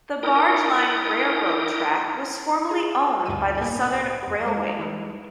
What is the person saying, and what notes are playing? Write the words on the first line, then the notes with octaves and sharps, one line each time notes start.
The Barge Line Railroad track was formerly owned by the Southern Railway.
D#4 E4 A#4 G5 D#6
G#4 A#5 C#6
D2 G2 G3 D#4 E6 D#7
C2 A2 A#3 B3 G#5
F2
G#3 C5 A5 E7
E3 G3 G#3 D#4 E4 B4